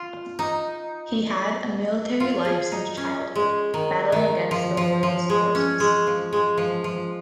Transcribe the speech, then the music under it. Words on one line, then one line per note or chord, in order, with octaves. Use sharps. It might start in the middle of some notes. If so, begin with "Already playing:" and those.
He had a military life since childhood, battling against the royalist forces.
Already playing: F4
D#4
F4
G#4
D#4
C#4
G#3
D#3
D#3
F3
F3
F3
G#3
C#4
G#3
F3
G#3
F3
F3